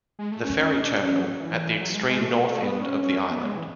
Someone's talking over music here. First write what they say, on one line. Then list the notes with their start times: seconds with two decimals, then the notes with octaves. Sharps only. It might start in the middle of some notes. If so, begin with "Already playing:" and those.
The ferry terminal at the extreme north end of the island.
0.19 G#3
0.32 A3
0.45 C#4
0.59 C#4
0.79 D4
1.00 C#4
1.20 F#3
1.40 E3
1.81 F#3
1.94 G#3
2.08 G#3
2.22 A3
2.42 A3
2.63 B3
2.82 C#4
3.03 C#4
3.31 B3
3.44 G#3
3.57 E3